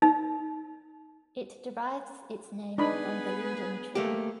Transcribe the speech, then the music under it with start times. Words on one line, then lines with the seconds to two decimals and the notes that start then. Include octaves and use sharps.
It derives its name from the Linden Tree.
0.02 D#4
2.78 B3 D4 D#4 G#4 B4 B5
3.95 A3 A#3 G4